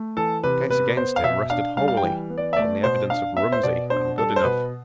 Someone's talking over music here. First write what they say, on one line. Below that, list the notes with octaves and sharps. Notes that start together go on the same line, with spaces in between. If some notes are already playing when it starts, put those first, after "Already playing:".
The case against him rested wholly on the evidence of Rumsey and Goodenough.
Already playing: A3
E3 A4
C3 B4
B3 B4
B3 C5
F5
B2 E5
D4 F5
G3 F5
F5
G5
E3
B3
D5
E5
A3 D5
B2 C5
D4 F5
B3 E5
C5
B2 D5
D4 C5
G3 A4
C5
B2 B4